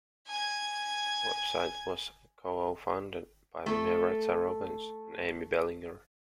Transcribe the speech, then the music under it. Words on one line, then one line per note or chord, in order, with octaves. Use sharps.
The website was co-founded by Myretta Robens and Amy Bellinger.
G#5 G#6
A3 A4